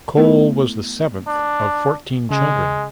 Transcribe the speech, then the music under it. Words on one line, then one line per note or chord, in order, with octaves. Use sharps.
Cole was the seventh of fourteen children.
A3 B3 E4
D4
C#3 G#3